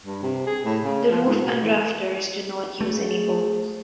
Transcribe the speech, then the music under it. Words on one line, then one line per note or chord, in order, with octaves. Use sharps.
The roof and rafters do not use any bolts.
G2
C3
G#4
A2
C#3
F3
G#2
B2
E3
A3 G#4